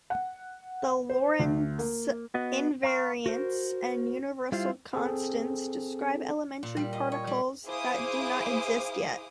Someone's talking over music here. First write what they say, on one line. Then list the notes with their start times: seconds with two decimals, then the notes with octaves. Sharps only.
The Lorentz invariance and universal constants describe elementary particles that do not exist yet.
0.10 F#5
1.09 C5
1.39 D2
1.79 A#3
2.34 B3 F#4 D#5
2.83 F5 A#5 C#6 F6
3.26 F#4 A#4 C5
4.52 G3 E4 F4 C5 F5
4.93 C4 G#4 A4
6.63 A#2
6.77 G3
6.93 D#5
7.12 C#5
7.27 G3
7.65 E4 G#4 C5 F5 D6 D#6